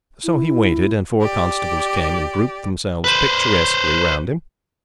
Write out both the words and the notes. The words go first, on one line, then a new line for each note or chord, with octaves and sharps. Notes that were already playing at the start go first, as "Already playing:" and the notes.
So he waited, and four constables came and grouped themselves picturesquely round him.
E4
G4 D5
B4 C5